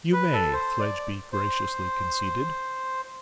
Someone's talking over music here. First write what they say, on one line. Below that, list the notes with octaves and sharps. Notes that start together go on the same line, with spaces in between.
'You may,' Fledgeby graciously conceded.
B4
A4
C5
D5
C5